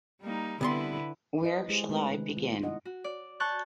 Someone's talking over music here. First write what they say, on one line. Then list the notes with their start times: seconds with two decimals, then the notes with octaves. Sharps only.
Where shall I begin?
0.22 G3 A#3 D#4
0.61 C2 D3 B3 E4 B4 C6
1.42 E4 B4 C5 D#5
1.69 G#3 E4 G4 G#4 C5
1.89 G#3 A3 C4 D#4 F#4 B4
2.11 C3 D#3 D4
2.37 B3 F4
2.62 D#4 E4 D#5 F#5
2.85 F#4
3.04 D5
3.40 A5 C#6 F#6 G6